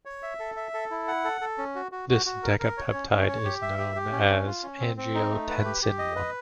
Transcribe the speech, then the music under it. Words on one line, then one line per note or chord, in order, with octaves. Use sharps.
This decapeptide is known as angiotensin I.
C#5
E5
A4
E5
A4
E4
F#5
A4
A4
C#4
F#4
F#4
F#4
F#4
A#4
A#4
C#5
C#4
C#4
C#5
G4
E5
G4
G4
C#4
C#4
F4
C#4
C4
C4
D#4
A3
B4
G4
G4
D#5
B4